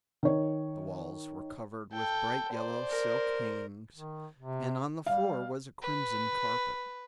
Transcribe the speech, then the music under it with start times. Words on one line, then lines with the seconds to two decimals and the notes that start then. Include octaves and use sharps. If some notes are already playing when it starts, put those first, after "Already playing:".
The walls were covered with bright-yellow silk hangings and on the floor was a crimson carpet.
0.23 D#3 C#5
1.93 A4 G5
2.52 C5 D5
2.89 A#4
3.93 D#3
4.38 C3
5.06 G3 F5
5.82 B4